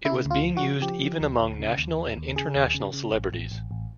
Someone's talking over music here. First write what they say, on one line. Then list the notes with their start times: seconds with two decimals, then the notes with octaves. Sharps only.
It was being used even among national and international celebrities.
0.05 C#3 E4
0.25 D2
0.31 F4
0.44 F3
0.57 F#4
0.63 C#3
0.82 F3 G4
1.01 F3
1.20 D2
1.40 D2
1.60 C#3
1.78 D#2
1.97 D#2
2.17 D#2
2.36 C#3 G#4
2.55 D#2
2.74 C#3
2.93 C#3
3.13 A1
3.32 A1
3.51 A1
3.71 A1